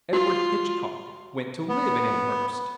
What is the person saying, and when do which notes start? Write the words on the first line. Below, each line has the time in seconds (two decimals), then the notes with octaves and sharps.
Edward Hitchcock went to live in Amherst.
0.13 F4 F#4
1.69 B3